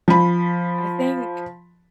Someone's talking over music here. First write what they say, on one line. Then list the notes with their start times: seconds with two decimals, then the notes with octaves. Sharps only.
I think
0.08 F3 B5